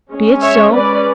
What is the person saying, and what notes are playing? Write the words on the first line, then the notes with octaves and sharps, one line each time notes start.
Be it so.
G#3 C#4
C#5 E5
G#3 C#4 B4 D5